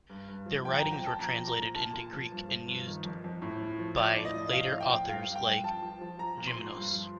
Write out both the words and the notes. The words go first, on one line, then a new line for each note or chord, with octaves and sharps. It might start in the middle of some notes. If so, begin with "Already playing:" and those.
Their writings were translated into Greek and used by later authors like Geminos.
G2
G2
F3
F2 G5
F2 A#5
G5
F2
A5
A#2 A#5
F3
A#5
A#2
A#2 A5
A#2
F3
G2
F3
G2
D#3
F2
F2
A2
F3
F3
F3 D5
A2
D#5
F3
A2 F5
F3
G5
F3
G2 F5
G2
G5
G2
F3 A5
F3
F3
F3 A#5
A#2
C6
F3
G2
F3